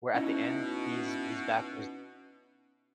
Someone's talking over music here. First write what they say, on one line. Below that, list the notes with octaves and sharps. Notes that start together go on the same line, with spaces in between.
where at the end, he's he's back with his
B2 C#4 D#4 E4